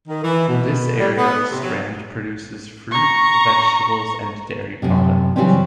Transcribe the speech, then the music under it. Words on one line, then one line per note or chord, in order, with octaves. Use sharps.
This area of Strand produces fruit, vegetables, and dairy products.
D#3
E3
B2
G3
B3
C3
F#3
A#5 C#6
F#2 A2 C3
C#3 E3 F#3 G3 C4 C#4